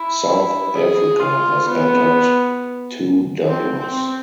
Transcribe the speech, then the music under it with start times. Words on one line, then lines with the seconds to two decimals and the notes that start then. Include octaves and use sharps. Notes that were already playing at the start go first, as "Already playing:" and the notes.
South Africa has entered two divers.
Already playing: E4
0.75 G#4
1.20 F4
1.65 B3
3.48 C4
3.78 C4